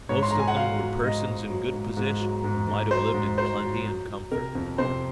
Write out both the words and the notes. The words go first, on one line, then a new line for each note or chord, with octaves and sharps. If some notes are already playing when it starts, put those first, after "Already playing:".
Most of them were persons in good position, who might have lived in plenty and comfort at home.
G#2 C#5
C6
G#2 A#5
G#5
F#5
F#3 F5
F#3
G#2 D#5
G#2
F#3
G#2
G#2
F#3
G#2
G#2
F#3 C5
G#2
F#3 C5
F#3
F#3
F#3
C3 A#4
F2
C3 C5